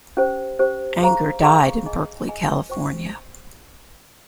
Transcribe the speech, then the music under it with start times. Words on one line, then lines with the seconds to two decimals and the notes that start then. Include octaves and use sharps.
Anger died in Berkeley, California.
0.17 C#4 G4 C5
0.59 C#4 G4 C5
1.01 G#4 C5 F5 A#5 C#6
1.43 G#4 C5 F5 A#5 C#6
1.86 G#4 D#5 G#5
2.27 G#4 D#5 G#5
2.69 C5 G5 C#6